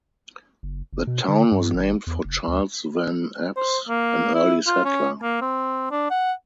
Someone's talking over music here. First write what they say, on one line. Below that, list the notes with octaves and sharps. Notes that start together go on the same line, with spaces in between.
The town was named for Charles Van Epps, an early settler.
F#1
F#1
B2
D3
G2
G#1
E2
F1
D2
C5
A#3
E4
F4
C#4
A#3
C4
D4
F#5